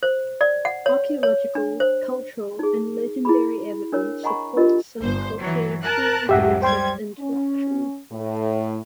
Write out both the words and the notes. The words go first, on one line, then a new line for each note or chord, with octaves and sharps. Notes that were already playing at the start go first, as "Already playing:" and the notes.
Archaeological, cultural and legendary evidence supports some cultural Thule-Dorset interaction.
C5
D5
F#5
C#5
C#5
D4
C5
D#4 G#4
E4 G#4 B5
D4 A#4 C#5
D#5 F#5 G#5 A#5 B5 C#6
D4 F4 G4 A#4 D#5
G1 C5
E3 F#3
A#4 A5 F#6
C#2 F#2 A2 G4 E5 F#5
G3 C5 G5 C6 G#6
C#4
A2